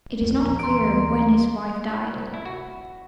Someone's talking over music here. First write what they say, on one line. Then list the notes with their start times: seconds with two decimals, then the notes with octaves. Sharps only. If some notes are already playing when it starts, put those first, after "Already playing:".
It is not clear when his wife died.
0.21 A#1 E2
0.39 E2 A#2 F3 A#5
0.59 D2 E3 C6 D7
2.13 C2
2.34 E4
2.45 F#4